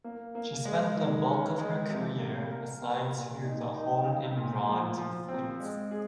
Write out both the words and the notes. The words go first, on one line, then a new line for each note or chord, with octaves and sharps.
She spent the bulk of her career assigned to the Home and Grand Fleets.
A#3
A#3
G#3
D#3
C#4
G#3
C3
A#3
A#4
A#3
A#2
D#4
D#4
C#3
A#2
F3
F3
C4
G#3
G#4